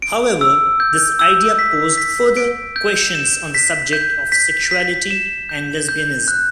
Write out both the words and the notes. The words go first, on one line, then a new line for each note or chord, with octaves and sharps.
However, this idea posed further questions on the subject of sexuality and lesbianism.
D7
E6
G6
E6
B6
B6
D7
G6
E7
B6
G6
B6
B6
E7
G6
G6
F#6